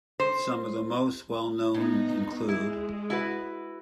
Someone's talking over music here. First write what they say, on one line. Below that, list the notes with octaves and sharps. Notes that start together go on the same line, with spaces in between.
Some of the most well known include.
C5
A2 B3 D#4
G#3 E4
E4 F#4 B4